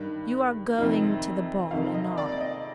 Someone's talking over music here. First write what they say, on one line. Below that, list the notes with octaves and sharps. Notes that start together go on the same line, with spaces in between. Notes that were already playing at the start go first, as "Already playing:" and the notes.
You are going to the ball anon. . . .
Already playing: G2 D#3
F2 C3 D#3
F2 C3 D#3 F5
D#5
D5
D5
D#5